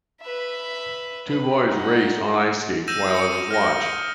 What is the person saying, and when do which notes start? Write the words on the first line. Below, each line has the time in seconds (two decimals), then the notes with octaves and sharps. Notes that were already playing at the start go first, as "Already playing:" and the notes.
Two boys race on ice skates while others watch.
0.21 B4 E5
1.29 B4
1.69 D#4 F#5
2.88 E6 G6 A#6 D#7 E7
3.10 D#6 C#7
3.51 F6 A#6